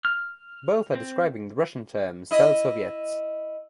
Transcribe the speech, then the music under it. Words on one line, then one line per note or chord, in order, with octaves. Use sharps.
Both are describing the Russian term "selsoviet".
F6
C4
E4 D#5